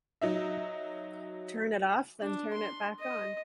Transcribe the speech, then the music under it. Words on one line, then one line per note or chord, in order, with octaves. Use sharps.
Turn it off, then turn it back on.
F#3 D#4 E5
D4
C6
D#5